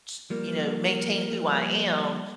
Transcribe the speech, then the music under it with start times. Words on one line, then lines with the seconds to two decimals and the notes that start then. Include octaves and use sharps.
t you know, maintain who I am
0.30 F3 G3 A#3 A#4